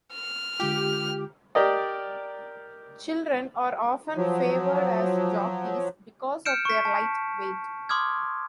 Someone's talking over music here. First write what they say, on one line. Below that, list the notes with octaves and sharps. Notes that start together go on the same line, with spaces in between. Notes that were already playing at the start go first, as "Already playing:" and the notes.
Children are often favored as jockeys because of their light weight.
F6
D3 G#3 F4 G4
G4 A#4 D5 D#5
F3 F#3
F6 G6 C#7 D7 E7
C#6 B6
A5
C6 D6 D#6 F6 G#6